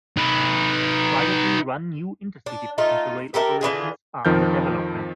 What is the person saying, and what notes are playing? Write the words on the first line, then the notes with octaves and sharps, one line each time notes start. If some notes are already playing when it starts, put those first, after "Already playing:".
Privately run new inter-city passenger rail operations are under development.
D#4 B4
D4
A3 D#4 F4
G4 A4 A#4 E5
D3 E3 F4 G#4
F2 D#3 F3 F6 G6